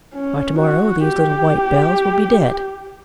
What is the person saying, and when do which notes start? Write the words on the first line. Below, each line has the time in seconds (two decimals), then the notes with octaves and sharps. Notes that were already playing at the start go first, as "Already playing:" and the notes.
"By to-morrow these little white bells will be dead."
0.15 C#4
0.59 F#4
1.04 G4